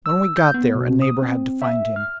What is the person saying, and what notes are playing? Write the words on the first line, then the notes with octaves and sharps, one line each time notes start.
When we got there, a neighbor had to find him.
E6
G6
B3
B2
D#6
C4
E5
F6